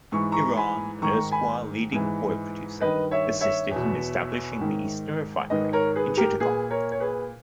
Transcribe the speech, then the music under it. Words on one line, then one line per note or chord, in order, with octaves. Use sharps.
Iran, an erstwhile leading oil producer, assisted in establishing the Eastern Refinery in Chittagong.
G#2 E3 C#6
A#5 C#6
G#5 B5
G#2 D#3 A#5 C#6
G#5 B5
G#2 E3
G2 D#3 B4 D#5
C#5 E5
C#5 E5
E2 B2
G#2 D#3
G#2 D#3 B4 D#5
A#4 C#5
G#4 B4
G4 A#4
A#2 G#4 B4
A#4 C#5
C#5
G#4 B4